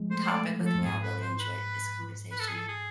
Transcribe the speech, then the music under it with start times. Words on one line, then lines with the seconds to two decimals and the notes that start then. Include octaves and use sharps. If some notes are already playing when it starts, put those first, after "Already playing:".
topic with me. I really enjoyed this conversation.
Already playing: F3 G#3
0.11 A3 C5
0.23 C5
0.29 D5
0.36 A3
0.60 F3
0.66 A4
0.75 F2
0.84 G#2 G#4
1.03 B4
1.21 C5
1.39 B4
2.32 B4
2.40 A4
2.48 G#4
2.56 A4
2.68 G#4